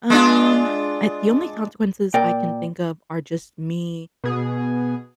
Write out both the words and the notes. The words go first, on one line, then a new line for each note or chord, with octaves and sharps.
Um, I the only consequences I can think of are just me,
G#3 D4 F4
A#2 A#4 D5 G5
B2 G#4